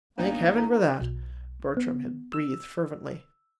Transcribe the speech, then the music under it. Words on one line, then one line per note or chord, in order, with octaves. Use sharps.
"Thank heaven for that!" Bertram had breathed fervently.
G#1 A#3 B3 D4 D#4 C#5 G5
E4 A4 A#5
B1
B3
E6